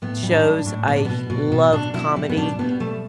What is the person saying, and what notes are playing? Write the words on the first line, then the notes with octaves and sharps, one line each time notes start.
shows, I love comedy,
A2 B3
G3
D4
A2
D4
A2
B2 B3
D4
B2 B3
B2
B2
B2 D4
B2 E4
G3
B3
B2 D4
G3 B3
B2 A3